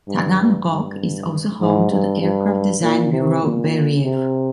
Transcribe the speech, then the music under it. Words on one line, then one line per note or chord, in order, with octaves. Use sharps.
Taganrog is also home to the aircraft design bureau Beriev.
G2
G2
G#2
G2
G2
A#2
C3
A#2
C3